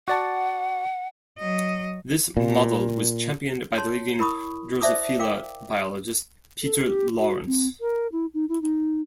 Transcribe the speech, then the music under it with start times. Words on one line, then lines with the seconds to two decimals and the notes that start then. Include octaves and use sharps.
This model was championed by the leading "Drosophila" biologist, Peter Lawrence.
0.08 F#4 D5 F#5 A5
1.38 F#3 D#5
2.37 A#2
3.78 C#5 A5 C6
4.19 E4 A#4 B5 C#6 D#6
4.81 C5 D5 E5 A5 D6 D#6
5.19 A#4 F5 G5 D6
6.63 A4
6.85 G4
7.18 F#4
7.46 C4
7.81 A#4
8.12 E4
8.34 D#4
8.49 E4
8.62 D#4